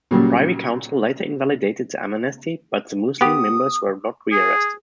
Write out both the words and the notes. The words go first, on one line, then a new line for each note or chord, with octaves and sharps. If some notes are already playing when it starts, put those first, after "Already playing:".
The Privy Council later invalidated the amnesty, but the Muslimeen members were not re-arrested.
A#2 C#3 F#3 G3 A#3
B3 G4 D#6
G#4